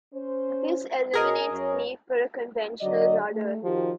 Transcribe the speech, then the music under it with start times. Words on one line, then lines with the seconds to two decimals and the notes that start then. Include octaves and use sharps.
This eliminates the need for a conventional rudder.
0.13 C#4 C5
1.14 B2 G#4 A#4 D#5
1.51 F#2 C#5
2.81 D3 F#3 D5 D#5
3.32 A3
3.62 D#3 F3 F#4 G4